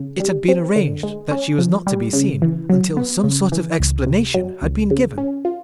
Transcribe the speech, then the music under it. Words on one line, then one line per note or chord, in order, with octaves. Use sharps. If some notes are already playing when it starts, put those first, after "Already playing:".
It had been arranged that she was not to be seen until some sort of explanation had been given.
Already playing: C#3
G3
C4
D3
G#3
C#4
F3
G3
C#3
E3
F#3
B3
C#3
E3
C#2
C3
F#3
C#2
C#3
C#4
F4